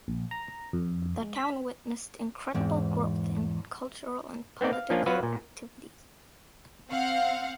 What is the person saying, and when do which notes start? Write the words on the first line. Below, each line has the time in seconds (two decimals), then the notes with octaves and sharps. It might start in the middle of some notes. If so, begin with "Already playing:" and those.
The town witnessed incredible growth in cultural and political activities.
0.08 A#1
0.31 A#5
0.73 F2
1.22 G#3
1.36 B6
2.54 E2 G#2 C4
4.61 B3 C4 D#4 D5
4.73 F5
4.90 F3 A#3 C#4 D4 F4
5.06 F#3 F4 F#4 B4 F5
5.23 A#2
6.90 C4 F5 F#5